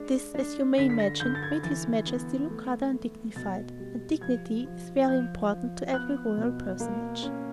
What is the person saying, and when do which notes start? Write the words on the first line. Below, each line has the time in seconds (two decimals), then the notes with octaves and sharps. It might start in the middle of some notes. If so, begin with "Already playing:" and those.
This, as you may imagine, made his Majesty look rather undignified, and dignity is very important to every royal personage.
Already playing: G#3 D4
0.34 D4
0.78 D3 B6
0.90 B6
1.00 A#6
1.20 D3 G6
1.35 A6
1.42 G#6
1.63 E3 A6
2.07 B3
2.50 A3
2.93 A3
3.36 B2 A6
3.79 G3
4.21 F3 G#6
4.65 F3
5.08 F3 G6
5.51 F3
5.93 B3 F#6
6.37 B2
6.80 A#3
7.22 C#4